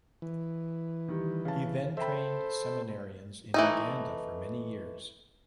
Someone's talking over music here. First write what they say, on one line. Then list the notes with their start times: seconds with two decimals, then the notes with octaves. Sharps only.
He then trained seminarians in Uganda for many years.
0.22 E3
1.08 D#3 G3
1.45 C#3 A5
1.97 A4 C5 E5 G5 B5
3.54 E3 A3 D#4